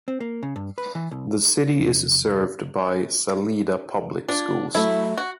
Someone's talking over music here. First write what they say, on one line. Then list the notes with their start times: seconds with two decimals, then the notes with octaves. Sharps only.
The city is served by Salida Public Schools.
0.08 C4
0.20 A#3
0.43 C#3
0.56 G2
0.78 B4
0.95 E3
1.11 C2
1.80 E2 C3 F3
4.28 D4 F4
4.75 F#3 A3 E4
5.17 F#4